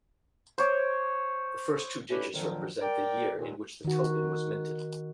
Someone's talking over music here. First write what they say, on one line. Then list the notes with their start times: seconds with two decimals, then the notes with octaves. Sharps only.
The first two digits represent the year in which the token was minted.
0.58 C5 C#5 D6
2.10 A3 C#4 D4 E4 G4 B4
2.34 F2 A#2 D3 D#3 F3 F#3
2.81 A#4 D5 G5
3.38 D#2 A#2
3.85 D#3 F#4